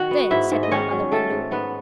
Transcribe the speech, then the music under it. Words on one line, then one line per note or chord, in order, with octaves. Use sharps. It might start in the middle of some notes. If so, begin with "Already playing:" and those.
"There!" said my mother-in-law.
Already playing: D#3 F#4 F#5
B3
G#2 E4 E5
G#2
D#5
D#3 C#4 C#5
F#3
D#3 A3 A4
G#2
G#2 B3 B4